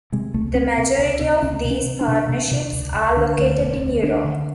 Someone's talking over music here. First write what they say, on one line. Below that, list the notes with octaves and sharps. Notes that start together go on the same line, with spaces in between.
The majority of these partnerships are located in Europe.
C3 G#3
C#2 A3
C#2 C4
C3
C#2
C3
C#2 C#4
C3
C#4
C3
D4
C3
C3
C3
C#2
C#2
D3
D2
E1
D2
D2 D4
D3